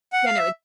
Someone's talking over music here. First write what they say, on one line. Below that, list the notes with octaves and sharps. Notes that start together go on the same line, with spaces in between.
yeah, no, it
F#5
F5
E5